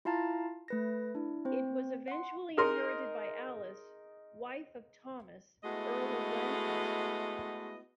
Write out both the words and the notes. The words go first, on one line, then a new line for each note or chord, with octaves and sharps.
It was eventually inherited by Alice, wife of Thomas, Earl of Lancaster.
E4 F4 F5 A5 A#5 A6
A3 B4 A#6
D4 E4
C4 C5
F#5 C6
D#4 G#4 A#4 D#5 C6
G#3 A3 B3 E4 F#4 D#5